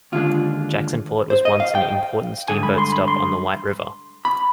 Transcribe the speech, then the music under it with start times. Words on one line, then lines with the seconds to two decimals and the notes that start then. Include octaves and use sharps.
Jacksonport was once an important steamboat stop on the White River.
0.12 D#2 D3 G#3 D4 F4
1.30 C5
1.45 D#5
1.60 F5
1.75 G5
2.48 G2 D3 G#3 D4 G#5
2.63 B5
2.78 C6
2.92 B5
3.08 C6
4.25 B5